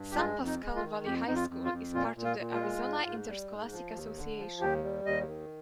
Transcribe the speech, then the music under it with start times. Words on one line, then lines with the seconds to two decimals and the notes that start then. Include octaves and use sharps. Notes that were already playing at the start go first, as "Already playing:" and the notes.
San Pasqual Valley High School is part of the Arizona Interscholastic Association.
Already playing: G2
0.11 G4
0.16 G#3 F4
0.39 F2
0.46 D#4
0.61 G#3
0.76 F4
0.83 D#3
1.05 F2 G4
1.27 F2 D#4
1.35 F4
1.50 F2
1.65 F4
1.72 F2
1.94 A#2 F4
2.16 A#2
2.24 F4
2.39 A#2
2.54 F4
2.60 G#3
2.83 G#2
3.05 G#2
3.28 G3
3.50 G#2
3.72 F3
3.94 D#2
4.16 D3
4.39 F3
4.61 D#2 G4
4.83 G3
5.06 D#2 D#5
5.28 D#3